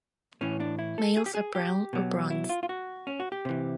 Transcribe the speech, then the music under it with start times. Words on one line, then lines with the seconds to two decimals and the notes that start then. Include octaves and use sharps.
Males are brown or bronze.
0.41 A2 E3 C#4
0.60 D4
0.79 E4
0.98 A4
1.17 G#4
1.26 G4
1.35 G#4
1.55 G4
1.93 B2 F#3
2.30 E4
2.49 F4
2.63 F4
2.69 F#4
3.07 C#4
3.20 F#4
3.32 G4
3.45 C3 E3